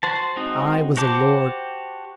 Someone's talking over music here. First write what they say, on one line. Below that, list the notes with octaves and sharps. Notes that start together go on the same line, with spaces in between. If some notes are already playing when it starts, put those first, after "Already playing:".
I was a lord.
F#4 C5 A5
G#3 C4 D#4 F#4 D#5
F#4 G4 C5 A5 D6